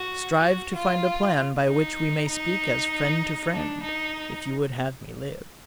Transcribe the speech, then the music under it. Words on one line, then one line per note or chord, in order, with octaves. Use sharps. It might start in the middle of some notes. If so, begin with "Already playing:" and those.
Strive to find a plan by which we may speak as friend to friend, if you would have me live.
Already playing: F#4
F#4
F4
D#4
D#4
D4
D#4